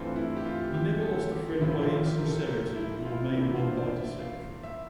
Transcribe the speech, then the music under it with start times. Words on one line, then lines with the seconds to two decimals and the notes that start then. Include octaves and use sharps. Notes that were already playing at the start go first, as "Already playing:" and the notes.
He never lost a friend by insincerity nor made one by deception.
Already playing: G2 E3 A3 C4 F4
0.16 E4
0.37 G4
0.45 F4
0.74 G4
1.02 A4
1.32 G4
1.60 A1 A2 F3 E4
1.81 F4
2.03 G4
2.18 A#4
2.25 A4
2.47 G4
2.75 E4
2.95 E4
3.05 F4
3.33 A1 G2 E3 A#3 D4 E4
3.55 F4
3.67 C5
3.77 D5
3.98 E5
4.20 F5
4.63 E5